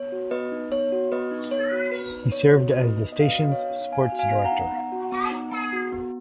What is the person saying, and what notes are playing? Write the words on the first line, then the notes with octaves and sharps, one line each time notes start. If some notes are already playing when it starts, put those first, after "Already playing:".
He served as the station's sports director.
Already playing: B3 C#5
F#4
B3 B4 D#5
D#4
B3 C#5
F#4
B3 B4 D#5
D#4
B3 C#5
F#4
B3 B4
D#4
B3 C#5
F#4
B3 B4 D#5
D#4
B3 D#5
F5
F#4 B4 D#5
B3 C#5 F5
D#4
B3 F5 G#5
F#4
F5 G#5
B3
F#5 A#5
D#4
B3
F#4
B3
D#4
B3
F#4
B3